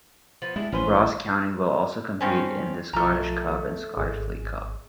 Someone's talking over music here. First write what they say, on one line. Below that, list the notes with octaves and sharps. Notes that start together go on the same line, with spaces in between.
Ross County will also compete in the Scottish Cup and Scottish League Cup.
F3 B3
G3 G#3 D4 E4
A1 C#4 B4 C5
G2 C4 C#4
B1 F3 A3 F4 A#5
G#1 G#4